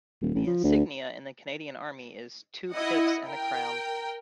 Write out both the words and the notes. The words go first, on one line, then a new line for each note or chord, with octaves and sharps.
The insignia in the Canadian Army is two pips and a crown.
D#1
A1
F3
D2
E4 D#5 F#5
A#4 G5